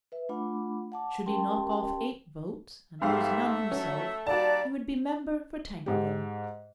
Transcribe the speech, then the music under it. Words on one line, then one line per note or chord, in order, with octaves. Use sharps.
Should he knock off eight votes and lose none himself, he would be member for Tankerville.
B4 E5
A3 D4 F4 F#5 B5 D6
F#5 A5 D6
C#4 G4 A#4 G5 A5 C6
G#2 A3 B3 G4 A4 E5 F5
F#3 C#4
D#3 G3 A#3 F#4 D5 A5
G#2 G4